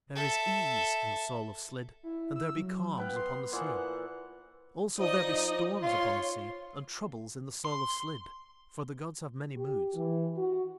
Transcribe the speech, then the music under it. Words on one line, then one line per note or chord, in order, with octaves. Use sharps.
There is ease in the soul of Slid and there be calms upon the sea; also, there be storms upon the sea and troubles in the soul of Slid, for the gods have many moods.
A4 E5
E4
E6
F#3
B3 B4 F5 G5
C6
A#2 E3 F3 F#5
F3 D#4 D5 D#5
F4 C#5 C6
C6
G4
E3
F#4